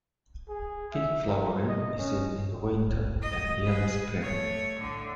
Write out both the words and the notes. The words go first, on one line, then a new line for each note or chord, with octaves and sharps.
Peak flowering is in the winter and early spring.
G#4
E5
A#4
D#5
C#4
D#5
G#4 B4
A3 C#5
A2 D3